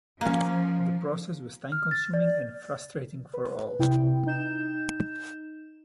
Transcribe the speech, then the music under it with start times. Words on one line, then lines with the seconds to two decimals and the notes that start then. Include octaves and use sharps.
The process was time consuming and frustrating for all.
0.21 F3 A#3 C#4
1.72 F6
1.91 A6
2.14 D5
3.34 B4
3.79 C3 E4 G5
4.26 D#4 G6 E7